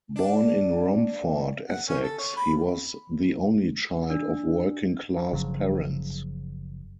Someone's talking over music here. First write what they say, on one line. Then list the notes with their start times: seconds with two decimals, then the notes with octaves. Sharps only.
Born in Romford, Essex, he was the only child of working-class parents.
0.16 D4
1.68 F#5
1.89 C#4
2.03 A4
2.19 C#5
2.37 B5
4.11 D4
5.32 F#1 C#3 F3 F#3